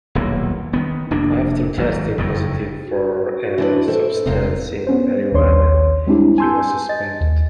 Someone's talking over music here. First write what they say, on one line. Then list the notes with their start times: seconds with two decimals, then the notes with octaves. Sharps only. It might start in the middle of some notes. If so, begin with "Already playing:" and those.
After testing positive for a substance in marijuana, he was suspended.
0.15 D#1 B1 E2 A#3
0.73 D#3 B3
1.11 F1 F2 A#3 D4
1.77 G#1 G#2 D3 F#3
2.18 F#1 F2 A2
2.84 F#4
3.58 E3 C4 D4 D#4 B4
3.88 A4 C5 E5 G5
4.26 E1 C3 C4 D#4 F4 A#4
4.87 B3 C#4 C5
5.32 A#1 D#2 D#3 C#5 C6
6.07 G3 G#3 C4 D4 E4 G4
6.38 G#5 A5 C6 E6 G6
6.89 D#5 A6
7.21 D#2